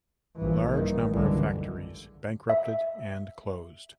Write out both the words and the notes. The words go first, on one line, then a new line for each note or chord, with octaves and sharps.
Large number of factories bankrupted and closed.
A#1 G2 E3 F3
G2 D#3 E3
F#1 C#2 G2 D3 E3 G#3
E5